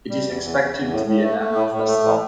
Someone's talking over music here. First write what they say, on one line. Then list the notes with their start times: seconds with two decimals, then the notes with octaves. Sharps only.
It is expected to be an annual festival.
0.10 G3
0.26 E2
0.43 E2
0.59 E2
0.75 E2
0.91 A2
1.07 A2
1.23 A3
1.39 A3
1.55 A2
1.72 A2
1.88 A3
2.04 A2